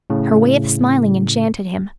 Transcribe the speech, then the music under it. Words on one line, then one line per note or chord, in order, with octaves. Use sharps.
Her way of smiling enchanted him.
A2 C#3